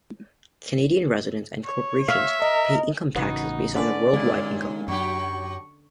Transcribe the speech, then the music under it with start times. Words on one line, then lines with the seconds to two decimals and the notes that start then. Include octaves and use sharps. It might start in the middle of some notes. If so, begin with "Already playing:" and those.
Canadian residents and corporations pay income taxes based on their world-wide income.
1.64 C#5
2.08 E5 F5
2.42 A#4 D#5
3.15 A1 C#3 B3 D#4 F#4
3.75 D3 C#4 B4 D5
4.13 D#2 A#2 G#3
4.88 F#2 F#3 D4 G4 C#6